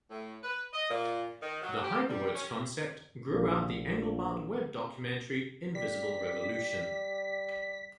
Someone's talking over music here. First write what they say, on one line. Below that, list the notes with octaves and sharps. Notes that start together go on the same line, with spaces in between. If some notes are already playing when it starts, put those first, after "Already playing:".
The Hyperwords concept grew out the Engelbart web-documentary Invisible Revolution.
A2
B4
D#5
A#2
D#3
F#3
G4
G3
C#4
A#1
G3 B6